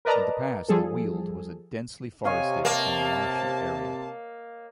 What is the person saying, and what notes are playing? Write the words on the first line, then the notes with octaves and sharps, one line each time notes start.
In the past the Weald was a densely forested and marshy area.
A#4 B4 D5 D#5 A5 A#5
F3 G3 G#4 A4
C3 C#5 D#5 F5 G#5
A#3 A5